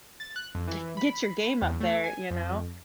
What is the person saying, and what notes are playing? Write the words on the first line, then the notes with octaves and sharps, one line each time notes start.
gre get your game up there, you know,"
A6
F#6
F2
E3
B5
E2
A3
G#5
F2